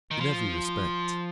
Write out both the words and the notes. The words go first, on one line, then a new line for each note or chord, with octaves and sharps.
"In every respect."
D#3
F3